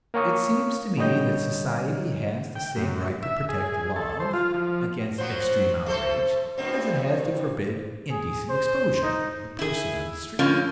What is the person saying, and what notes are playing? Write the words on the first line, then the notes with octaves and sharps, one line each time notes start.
It seems to me that society has the same right to protect love against extreme outrage, as it has to forbid indecent exposure of the person on the street.
A#3 A#4 C#5 F5 C#6 D#6
D3 G3 C#5 D#5 G6
G5
F#2
E5
G#4
A4
C5
F4
F3
F3 F#3 C5
A3 A4 C5
G2 A#2 C4
G#4
C5
D#4
E4 G#4
A2 D3 F3 A#3 C#4 F4